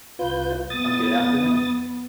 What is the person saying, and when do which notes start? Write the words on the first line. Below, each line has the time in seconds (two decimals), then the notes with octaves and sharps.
a good afternoon.
0.19 C2 F4 B4 G6
0.70 F2 B3 D#6 A6